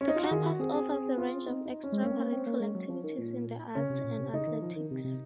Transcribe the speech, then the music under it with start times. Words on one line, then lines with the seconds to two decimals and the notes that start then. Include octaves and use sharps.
The campus offers a range of extra-curricular activities in the arts and athletics.
0.01 C#4
0.08 D#4
0.16 F4
0.23 F#4
0.31 D#3 G#4
0.45 F#4
0.59 C4 G#4
0.74 G#4
0.89 G#4
1.18 F4
1.46 D#4
1.65 D#4
1.84 C#4
1.92 G#3
2.03 A#3 C#4
2.12 C4
2.17 A#3
2.32 C4
2.46 A#3
2.60 G#3
2.75 F#3
2.89 F3
3.04 D#3
3.18 A#2
3.75 C#3 C#4
3.90 C3
4.04 A#2
4.19 C3
4.33 C#3 D#4
4.47 D#3
4.62 F3
4.76 D#3
4.91 C3
5.04 C3